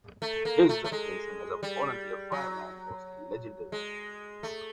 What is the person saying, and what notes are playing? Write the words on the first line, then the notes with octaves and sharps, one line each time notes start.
His reputation as a volunteer fireman was legendary.
A3
A#3
A3
A3
G#3
G3
F#3
G#3
A3